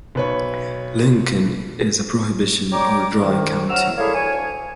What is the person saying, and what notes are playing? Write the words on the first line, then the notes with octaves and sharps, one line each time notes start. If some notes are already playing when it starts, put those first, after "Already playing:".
Lincoln is a prohibition or dry county.
B1 B4 C#5
C#5 D5 G5 A#5 D6
C2 D#3
C3 F#3 F#4 E6 F6
G3 A3 A#3 E4 G#4 C#5
D2 C#5 G#5